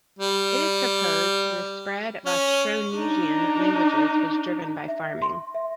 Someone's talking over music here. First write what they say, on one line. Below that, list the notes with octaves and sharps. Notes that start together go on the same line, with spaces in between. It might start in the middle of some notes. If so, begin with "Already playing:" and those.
It is proposed that the spread of Austronesian languages was driven by farming.
G3
C#4
D4 D#4
E5
C6
E5